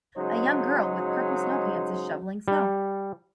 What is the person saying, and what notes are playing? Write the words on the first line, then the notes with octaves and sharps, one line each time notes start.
A young girl with purple snow pants is shoveling snow.
C#3 F#3 G#3 D#4 C5
G3